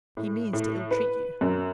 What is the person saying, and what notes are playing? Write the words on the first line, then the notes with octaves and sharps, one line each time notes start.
"He means to ill-treat you."
A2
A2
B4
F#2